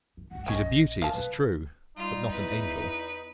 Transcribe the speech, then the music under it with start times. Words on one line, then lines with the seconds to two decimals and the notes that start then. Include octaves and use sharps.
She's a beauty, it is true; but not an angel.'
0.17 E3
0.31 C#2 F#2 F#5
0.46 A#1 C#4 D#4 D#5 G5
1.02 F5 A5
1.14 B2 B4
1.97 G3 D#4 F4
2.31 E2 E4 B4